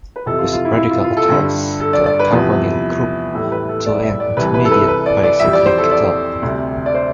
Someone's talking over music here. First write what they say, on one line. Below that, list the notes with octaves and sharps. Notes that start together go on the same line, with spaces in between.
This radical attacks the carbonyl group to an intermediate bicyclic ketyl.
B4
F2 C3 E3 A4
F4
F4
E4
E4
F4
F4
A4
G2 D3 G3
A4
D5
D5
B4
E2 C3 F3
A2 E3 G3 A4
B4
A4
D5
E5
D5
C2 C3 E3 G3 B4
B4
A4
B4
B4
D5
D5
F2 E3 G3 E5
D5
C5
A4
D5
D2 C3 G3
D5
C5